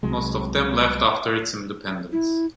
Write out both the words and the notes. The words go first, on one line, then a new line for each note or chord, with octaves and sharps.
Most of them left after its independence.
C2 C3 F#3 G#3
E4